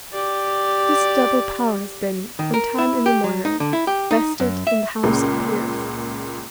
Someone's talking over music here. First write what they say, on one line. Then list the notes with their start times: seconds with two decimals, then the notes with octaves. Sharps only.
This double power has been, from time immemorial, vested in the House of Peers.
0.12 G4 D5
2.39 D#3
2.54 A#4
2.78 E4
3.06 G4
3.24 F#3
3.45 D#4
3.60 D3
3.73 E4
3.87 G4
4.11 D#4
4.40 F#2
4.67 E5
5.03 C#2 A#2 C#3